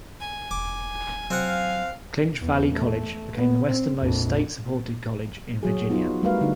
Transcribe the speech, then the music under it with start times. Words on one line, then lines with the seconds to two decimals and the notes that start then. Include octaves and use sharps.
Clinch Valley College became the westernmost state-supported college in Virginia.
0.21 G#5
0.51 E1 D6
1.31 F#3 C4 F5 F#5
2.41 E2
2.71 A3
3.36 B3
3.67 C4
3.99 A#1 F2
5.63 F#3 F#4 G#4
5.90 B3 D#4 F4 F#4
6.23 G3 A3 F#4 A#4 B4 F5
6.41 D3 D4 D#4